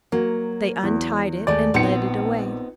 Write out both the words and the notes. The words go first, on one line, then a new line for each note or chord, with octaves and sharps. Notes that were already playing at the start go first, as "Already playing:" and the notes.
They untied it, and led it away.
F#3 A#3
E2
D#2 G#3 A3 D5
A#1 B3 C4 D#4 C#7